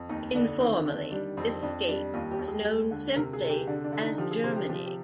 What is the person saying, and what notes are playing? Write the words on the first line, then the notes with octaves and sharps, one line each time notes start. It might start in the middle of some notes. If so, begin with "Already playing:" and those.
Informally, this state was known simply as Germany.
Already playing: F2
D#2 D#4
D3 D4
D#3 C4
D#3 D4
G3 D4
F2 C4
F2 D4
G3 D4
D#2 F4
G4
D#2
G#4
G#3
D3
C3 A#4
G#4
C3
G4
D3 D4
D4
D3
D#4
F3 G4
G#4
C3 C5
G4
F3 G4
G4